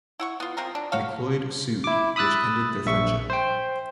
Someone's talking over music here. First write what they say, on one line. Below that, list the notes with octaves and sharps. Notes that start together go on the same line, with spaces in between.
McLeod sued, which ended their friendship.
E4 F#5 C#6
B3 F4
G#3 C4 F4 A#4
D4
F#4 C#5 F5
E4 D6
B5 D#6 E6 F#6 A6
A#1 E5 C#6
C5 G5